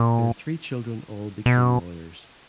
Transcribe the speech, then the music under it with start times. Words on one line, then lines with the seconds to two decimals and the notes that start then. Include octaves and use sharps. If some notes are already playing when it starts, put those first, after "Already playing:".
Their three children all became lawyers.
Already playing: A#2
1.46 B2